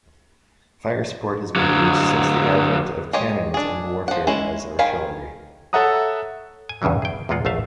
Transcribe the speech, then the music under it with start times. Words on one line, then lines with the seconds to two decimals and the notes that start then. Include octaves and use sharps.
Fire support has been used since the advent of cannons in warfare as artillery.
1.56 D3 F#3
3.13 G#3 G4 C#5 D#5
3.54 D4 G#4
4.08 F3 F#5
4.27 G#3 C#4 E4
4.79 D#3 F5 G#5 B5
5.73 A4 C#5 E5 F#5 A#5 D#6
6.69 G#5
6.82 E2 G2 C#3 E3 F#3
7.02 G#4 G5
7.29 E2 A#2 G#3 F4 F#5
7.45 A#1 E2 A3 E5 F5